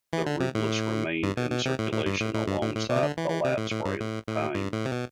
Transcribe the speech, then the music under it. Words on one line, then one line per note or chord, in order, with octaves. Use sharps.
The rublis remained in circulation alongside the lats for a time.
E3
D3
C3
A2
G2
B2
B2
C3
A2
A2
G2
A2
A2
G2
A2
A2
B2
C3
D3
E3
E3
C3
A2
A2
G2
A2
A2
G2
A2
C3
B2